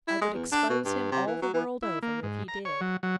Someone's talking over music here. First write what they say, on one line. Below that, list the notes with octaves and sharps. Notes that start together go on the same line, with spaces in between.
I would expose him all the world over if he did.
E4
G#3
E2
D4
B2
G2
C3
E3
F#3
E3
E4
A#3
G#2
A#5
C#5
F#3
F#3